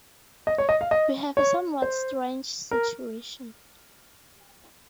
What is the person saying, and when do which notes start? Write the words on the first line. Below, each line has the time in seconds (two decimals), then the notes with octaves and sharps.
'We have a somewhat strange situation.
0.47 D#5
0.58 C#5
0.69 D#5
0.81 F5
0.91 D#5
1.37 C#5
1.82 C5
2.71 A#4